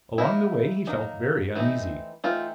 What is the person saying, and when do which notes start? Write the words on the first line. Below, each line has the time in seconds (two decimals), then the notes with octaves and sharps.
Along the way he felt very uneasy.
0.18 F#3 A#3 D#4 E4
0.87 F#3 A#3 D#4
1.55 E3 A3 C4 D#4
2.24 E3 A3 C4 D#4 F4